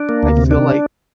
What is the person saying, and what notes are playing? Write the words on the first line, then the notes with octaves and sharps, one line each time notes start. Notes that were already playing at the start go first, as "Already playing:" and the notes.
I feel like
Already playing: D4
A#3
D2
C3
D4